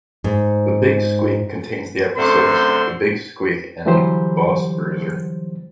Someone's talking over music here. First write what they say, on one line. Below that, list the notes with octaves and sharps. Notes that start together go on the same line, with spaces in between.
"The Big Squeak" contains the episodes "The Big Squeak" and "Boss Bruiser".
G#2
F#2 D3 A3 C4 C6
D3 E3 F#3 G3 G4 C5